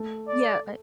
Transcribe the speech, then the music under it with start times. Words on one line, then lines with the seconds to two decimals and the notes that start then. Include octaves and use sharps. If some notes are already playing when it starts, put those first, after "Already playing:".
Yeah, but
Already playing: A3
0.28 D5